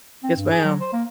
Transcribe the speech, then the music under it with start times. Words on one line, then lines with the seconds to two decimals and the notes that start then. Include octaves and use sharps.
Yes, ma'am.
0.24 C4
0.37 G2
0.51 G#4
0.65 F#3
0.81 C5
0.93 A#3